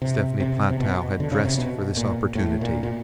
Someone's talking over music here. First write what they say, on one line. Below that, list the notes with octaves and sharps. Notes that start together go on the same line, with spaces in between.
Stephanie Platow had dressed for this opportunity.
C3
C3
C3
B2
D3
C#3
C3
B2
A#2
A2
A#2
A#2